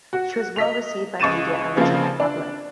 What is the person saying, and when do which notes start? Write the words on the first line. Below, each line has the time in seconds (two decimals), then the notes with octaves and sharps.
She was well received by media and the general public.
0.13 F#4
0.56 D#5 B6 F7
1.20 C#2 C#6 A6 D#7 E7
1.77 C#3 F3 A#3 C4 F4
2.20 D4